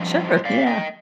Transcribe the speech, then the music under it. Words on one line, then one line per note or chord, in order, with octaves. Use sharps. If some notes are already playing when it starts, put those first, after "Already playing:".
Sure, yeah.
Already playing: G2 F3 C5 D#5
D5 F5
D#5 G5